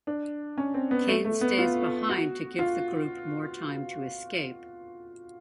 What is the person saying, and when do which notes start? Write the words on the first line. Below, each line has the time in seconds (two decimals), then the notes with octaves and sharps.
Kane stays behind to give the group more time to escape.
0.07 D4
0.58 C#4
0.74 C4
0.91 B3
1.08 A3
1.25 A3
1.41 B3
1.58 F4
2.09 F#4
2.59 F4